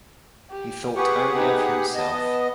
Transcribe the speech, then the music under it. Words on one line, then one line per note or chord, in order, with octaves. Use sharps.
He thought only of himself.
G4
G4 G#4 B4 F#5 C#6
B3 D#4
B3 D#5 A5